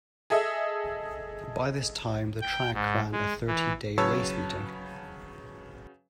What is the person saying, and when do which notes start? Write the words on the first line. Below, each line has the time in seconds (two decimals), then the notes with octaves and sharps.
By this time the track ran a thirty-day race meeting.
0.30 G#4 A4 D#5 E5
2.41 G5
2.74 G#2
3.12 G#3
3.47 E3
3.98 C#3 F#3 B4 C#5 A5 E6